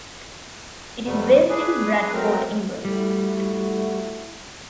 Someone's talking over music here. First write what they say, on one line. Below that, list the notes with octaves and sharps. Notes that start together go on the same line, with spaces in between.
It is based in Bradford, England.
F2 C3 G3 A3 B3
D4 G#4 B4
F#3 A3 C4 A#4
G3 A3 E4 F#4